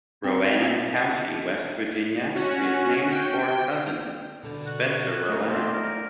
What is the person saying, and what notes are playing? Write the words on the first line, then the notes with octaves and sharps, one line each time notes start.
Roane County, West Virginia, is named for a cousin, Spencer Roane.
C4
C#4 F#4
G5
B2 D3
F#4
A3 D#4 A#4 C#5
C4 D5
A#4